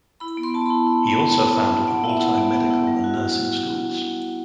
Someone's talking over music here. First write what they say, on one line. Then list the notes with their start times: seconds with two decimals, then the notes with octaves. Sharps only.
He also founded the wartime medical and nursing schools.
0.20 E4 B5
0.37 B3
0.43 C6
0.54 B3 A5
0.66 E4 B5
0.87 E4
1.04 B3
1.20 B3 A5
1.37 E4
1.54 E4 G5
1.70 B3
1.87 B3 F#5
2.04 E4
2.09 E5
2.20 E4 F#5
2.38 B3
2.54 B3
2.71 E4
2.87 G3
3.04 F#4